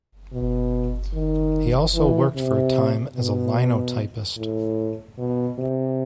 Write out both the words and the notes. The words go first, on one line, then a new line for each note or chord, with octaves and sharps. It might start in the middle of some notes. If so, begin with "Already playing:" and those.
He also worked for a time as a linotypist.
B2
D#3
E3
C3
B2
A2
B2
C3